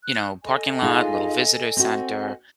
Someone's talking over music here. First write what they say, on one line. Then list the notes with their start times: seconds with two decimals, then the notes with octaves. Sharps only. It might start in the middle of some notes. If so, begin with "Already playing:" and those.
you know, parking lot, little visitor center,
0.02 F#6
0.43 A4 D#5 G#5
0.82 D#4 F4 G#4
1.77 C4 F#4